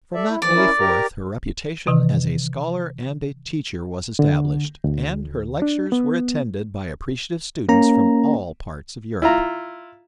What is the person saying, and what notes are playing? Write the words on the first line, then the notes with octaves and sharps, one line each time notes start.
From that day forth her reputation as a scholar and a teacher was established, and her lectures were attended by appreciative students from all parts of Europe.
A4 D5 E5
E4
E3 F3 D5
C#4 E4 A#4
G4 A#4 A#5
C3 D#3 E3
D3
D2
D4
B3
A#3 C#4 A#5
E4 F4 A#5